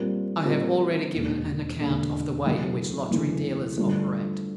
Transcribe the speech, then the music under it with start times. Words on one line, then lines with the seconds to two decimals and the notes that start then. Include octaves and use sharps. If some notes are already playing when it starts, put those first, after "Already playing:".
I have already given an account of the way in which lottery dealers operate.
Already playing: A#2 G3 C4 F4 A#4
0.45 A#2 G3 C4 F4 A#4
1.12 E1 D#2 D3
1.79 E1 D#2 D3
2.45 F#2 C#3 E3 A3 D4
3.11 F#2 C#3 E3 A3 D4
3.77 G2 D3 F3 A3